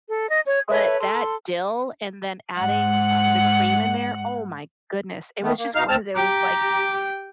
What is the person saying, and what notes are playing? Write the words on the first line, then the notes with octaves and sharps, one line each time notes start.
but that dill and then adding, uh, the cream in there, oh my goodness. It was just one of those, like,
A4
D#5
C#5 G#6
A4 B4 C#5 E5
A4 C6
G#2 F#5
D#3 A3 B3
A#3
B2 D#4 F5 F6
D2 C4 A5 F6
G4 G5 A#5 D6